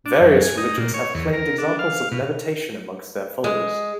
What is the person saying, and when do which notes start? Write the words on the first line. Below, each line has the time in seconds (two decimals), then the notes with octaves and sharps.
Various religions have claimed examples of levitation amongst their followers.
0.06 D4
0.21 F#2
0.42 G#5
0.58 D#4
0.77 A#2
0.94 C#5
1.15 E2
1.33 A#4
1.58 D4
1.79 F5
2.12 B2
3.44 G#3